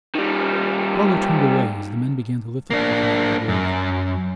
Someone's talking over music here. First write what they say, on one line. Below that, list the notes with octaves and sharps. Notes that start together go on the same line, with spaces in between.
Spargo turned away as the men began to lift the coffin out of the grave.
D#3 G3
A#3 D4
F#2